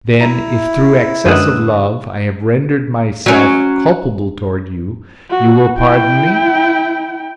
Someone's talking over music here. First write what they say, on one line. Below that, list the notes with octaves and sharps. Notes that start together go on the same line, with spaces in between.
"Then if through excess of love I have rendered myself culpable toward you, you will pardon me?"
E4 E5 A#5
F#2 D3 F#3 G#3 B4 D#6 E6 F#6
F#3 C#4
F#4
E4 G5